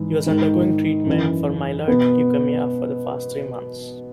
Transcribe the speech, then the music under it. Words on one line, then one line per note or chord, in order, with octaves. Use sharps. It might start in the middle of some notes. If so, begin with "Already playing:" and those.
He was undergoing treatment for myeloid leukaemia for the past three months.
Already playing: G#2 E3
G#2 D#3
F#2 E3
B2 B3